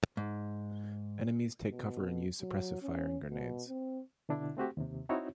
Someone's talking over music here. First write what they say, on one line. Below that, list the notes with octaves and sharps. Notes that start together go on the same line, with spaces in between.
Enemies take cover and use suppressive fire and grenades.
G#2
B2
F#3
C#4
B2
C4
B2 D3 D4 E4
A3 C4 F#4 G4
D#2 C3
C4 D#4 E4 F#4 C#5